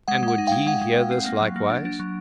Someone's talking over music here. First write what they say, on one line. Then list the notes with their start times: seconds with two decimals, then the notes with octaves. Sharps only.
And would ye hear this likewise?
0.08 G#3 F#5
0.23 G#3
0.28 F#5
0.38 D#4
0.47 G#3 F5 G5
0.66 G#3 F#5
0.81 G#3
0.96 G#3
1.11 C4
1.26 A#3
1.41 F#3
1.56 A#3
1.70 D4
1.85 D4
2.00 F#3